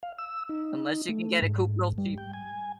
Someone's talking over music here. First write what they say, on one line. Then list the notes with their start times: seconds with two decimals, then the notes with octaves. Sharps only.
unless you can get a coop real cheap.
0.03 F5
0.18 E6
0.49 D#4
1.09 A3
1.42 G#2
1.98 G3
2.18 G5
2.33 G#5